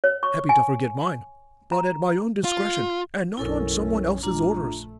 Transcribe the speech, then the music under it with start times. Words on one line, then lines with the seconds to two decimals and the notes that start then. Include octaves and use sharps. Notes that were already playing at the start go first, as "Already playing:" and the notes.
I'm happy to forget mine, but at my own discretion, and not on someone else's orders.
0.04 C#5
0.23 C#6
0.49 G#5
1.72 A#5
2.44 F4
3.37 F#1 B1 C#4 E4 A4 A#4
4.23 A#1 G#3 D4 F4 A#5
4.57 A3